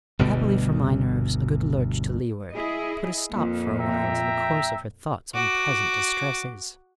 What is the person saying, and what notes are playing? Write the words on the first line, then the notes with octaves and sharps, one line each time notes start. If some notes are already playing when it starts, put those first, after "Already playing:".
Happily for my nerves, a good lurch to leeward put a stop for a while to the course of her thoughts on the present distresses.
G1 D2 B2 G3
E4 G#4 D#5
F2 A#2
E5 G5 A#5
F#4 D6